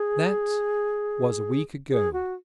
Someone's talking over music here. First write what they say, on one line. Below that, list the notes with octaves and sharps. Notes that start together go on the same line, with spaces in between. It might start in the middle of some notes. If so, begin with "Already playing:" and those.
That was a week ago.
Already playing: G#4
G#4
F#4